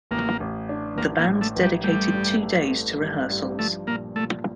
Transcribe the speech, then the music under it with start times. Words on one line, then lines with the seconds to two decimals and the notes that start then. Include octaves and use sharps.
The band dedicated two days to rehearsals.
0.11 A1 A#3
0.40 A1
0.69 D4
0.97 A1 A#3
1.19 A#3
1.27 A2
1.41 A3
1.56 A1
1.63 G3
1.84 G3 A3
2.14 G2
2.43 A3
2.71 A3
3.01 G2
3.30 G2
3.58 F3 A3
3.87 A#2 A#3
4.16 A#2 A3